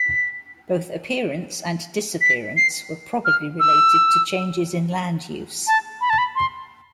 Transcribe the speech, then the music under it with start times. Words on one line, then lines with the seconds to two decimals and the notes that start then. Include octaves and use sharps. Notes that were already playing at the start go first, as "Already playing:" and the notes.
Both appearance and disappearance were probably related to changes in land use.
Already playing: B6
2.21 B6
2.57 C7
3.25 F6
3.60 E6
5.67 A5
6.01 B5
6.10 A5
6.18 B5
6.36 C6